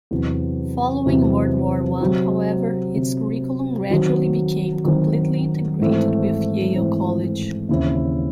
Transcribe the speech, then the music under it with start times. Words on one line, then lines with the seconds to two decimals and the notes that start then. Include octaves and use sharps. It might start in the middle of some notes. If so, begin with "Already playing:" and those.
Following World War One, however, its curriculum gradually became completely integrated with Yale College.
0.11 E2 C3 F#3
1.06 E2 C3 F#3
2.00 C3 F#3 C4
2.95 C3 F#3 C4
3.90 D#3 F#3 C4 F#4
4.85 D#3 F#3 C4 F#4
5.79 G#2 E3 A3 C4
6.74 G#2 E3 A3 C4
7.69 D#2 C#3 E3 C4 E4